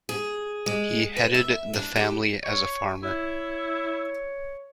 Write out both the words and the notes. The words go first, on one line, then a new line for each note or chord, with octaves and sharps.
He headed the family as a farmer.
G#4
G#3
B4
E5
D4
G4
C#5
E4 C#5